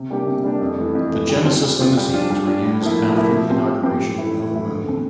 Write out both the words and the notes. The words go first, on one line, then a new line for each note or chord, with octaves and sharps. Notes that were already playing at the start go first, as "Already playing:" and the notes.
The Genesis limousines were used after the inauguration of Moon.
Already playing: C3
G3 A#3 D4 G4
C3
G3 A#3 D4 G4
F2
E3 A3
F2
E3 A3
G3
C4 F4 C5
G3
C4 F4 C5
G3
D4 F4
G3
D4 F4
A2
F3 A#3 E4
A2
F3 A#3 E4
F3
C4 G4 C5
F3
C4 G4 C5
A2
E3 A3 E4
A2
E3 A3 E4
D3
A3 C4